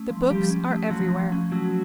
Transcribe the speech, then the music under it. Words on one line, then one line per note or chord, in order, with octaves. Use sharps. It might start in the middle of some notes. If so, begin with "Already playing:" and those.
The books are everywhere.
Already playing: A3 C#4
F3
F3 G3 G4
C#4
A3
F3 F#3 F#4
F3
C#4
F#3 A3 F#4